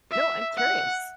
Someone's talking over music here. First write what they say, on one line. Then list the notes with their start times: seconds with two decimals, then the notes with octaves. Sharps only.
No, I'm curious.
0.11 E5
0.57 F#5